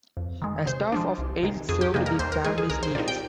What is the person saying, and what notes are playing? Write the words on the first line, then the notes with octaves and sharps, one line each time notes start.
A staff of eight served the family's needs.
F2
D#3 G#3
C3 C5
F3 G#3 D4
C2
C3 D#3 G#3
F2 G#4
G4
C3 G3 A#3 D#4 G#4
A#4
D#2 C5
A#4
D#3 G#3 D#4 G#4
G#4
C2 A#4
C5
A#2 G3 C4 D#4 D5
G5